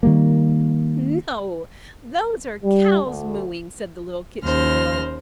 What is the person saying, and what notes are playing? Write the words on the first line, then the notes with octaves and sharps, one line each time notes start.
"No, those are cows mooing!" said the little Kitchen-girl.
D#3 G3 A#3
G3
D2
D#2 C#4 C5 F6 A#6